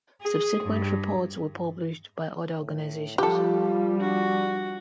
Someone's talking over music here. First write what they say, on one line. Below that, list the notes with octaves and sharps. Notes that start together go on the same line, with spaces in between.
Subsequent reports were published by other organizations.
G#4
G2
A2
F3 G3 F4 G4 A4
D4 F#4